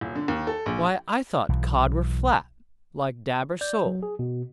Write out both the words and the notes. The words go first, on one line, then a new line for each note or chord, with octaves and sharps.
"Why, I thought cod were flat, like dab or sole!"
D#1
D3
D#2
A4
A#1
B1 E3
D5 G6
F#3
G#4
B2